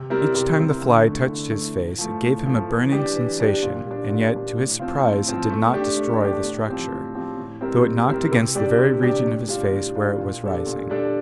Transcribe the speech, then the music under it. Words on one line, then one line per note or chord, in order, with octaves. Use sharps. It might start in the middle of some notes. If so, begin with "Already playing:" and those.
Each time the fly touched his face it gave him a burning sensation and yet to his surprise it did not destroy the structure, though it knocked against the very region of his face where it was rising.
Already playing: C3
G3 C4 E4 A#4
C3
G3 C4 E4 A#4
D3
A3 E4
D3
A3 E4
A2
F3 A3
A2
F3 A3
E3
G3 D4 G4
E3
G3 D4 G4
A#2
G3 D4
A#2
G3 D4
A2
F3 C4 F4
A2
F3 C4 F4
A3
D4 G4
A3
D4 G4
A2
F3 C4 G4
A2
F3 C4 G4
A2
G3 C4 E4 A#4
A2
G3 C4 E4 A#4
C3
G3 D4 G4 D5
C3
G3 D4 G4 D5
A2
G3 D4 F4
A2
G3 D4 F4
A#2
G3 D4 A4
A#2
G3 D4 A4